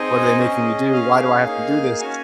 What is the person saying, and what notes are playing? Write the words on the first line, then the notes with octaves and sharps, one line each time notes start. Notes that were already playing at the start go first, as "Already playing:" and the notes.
what are they making me do? Why do I have to do this?"
Already playing: C4 D#4 G#4 D#5
C#4 G#4
C#4 G#4 F5
A#3 D#4 G#4
C#4 F#4 G#5